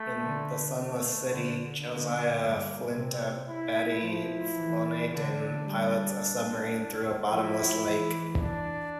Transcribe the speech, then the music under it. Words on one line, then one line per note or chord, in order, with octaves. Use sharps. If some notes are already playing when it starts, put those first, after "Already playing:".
In "The Sunless City", Josiah Flintabbatey Flonatin pilots a submarine through a bottomless lake.
Already playing: A3
D3
A3
D3
D3 A#3
G2
C3 C4
E4
F3 E4
E3
D3 D4
G3
F3 E4
E3
D4